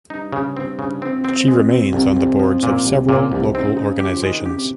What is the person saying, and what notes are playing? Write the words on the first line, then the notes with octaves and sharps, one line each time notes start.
She remains on the boards of several local organisations.
G2 D#4
C#3
C4
C#3
F2 C4
C4
G#3
C4
C2 F2
C2
F3
A#2
C2
A#2
C2 G2
G#2
C4
C#3
D#4
G4
F3
D#3 G#3
C#3
G4
C3